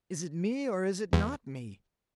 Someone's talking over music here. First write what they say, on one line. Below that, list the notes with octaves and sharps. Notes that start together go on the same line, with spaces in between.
'Is it me, or is it not me?
E2